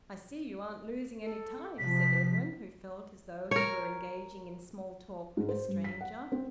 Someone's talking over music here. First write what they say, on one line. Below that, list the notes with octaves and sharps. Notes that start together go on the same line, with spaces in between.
"I see you aren't losing any time," said Edwin, who felt as though he were engaging in small-talk with a stranger.
A4
C3 F3 B6
A#4 C#5
G#2
C5
G2
B6
F#5
C4